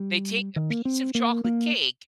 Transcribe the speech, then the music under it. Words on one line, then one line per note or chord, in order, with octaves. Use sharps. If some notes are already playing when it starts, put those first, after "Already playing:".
They take a piece of chocolate cake,
Already playing: G3
D#3
A#3
C4
A#3
A#3